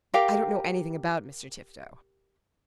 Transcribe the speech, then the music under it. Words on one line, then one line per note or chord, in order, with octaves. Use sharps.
"I don't know anything about Mr. Tifto."
G4 A#4 F5 G5